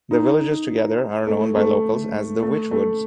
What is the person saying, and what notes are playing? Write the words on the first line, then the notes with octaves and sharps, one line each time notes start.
The villages together are known by locals as "The Wychwoods".
D#4
A3
A3
A3
A3